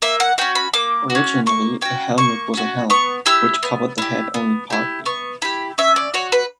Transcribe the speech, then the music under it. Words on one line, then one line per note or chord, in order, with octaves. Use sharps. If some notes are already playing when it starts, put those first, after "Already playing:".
Originally a "helmet" was a helm which covered the head only partly.
A#3 E5
F#5
C#4 F#4 G5
B5
A#3 D6
F#4
C#4
A#3 C#6
C#4 F#4 G5
A#3 C#6
C#4 F#4
B3 C#6
E4 G4 E6
B3
E4 G4
B3
E4 G4
B3 C#6
E4 G4 B5
C#4 E5
D5
F#4 C#5
B4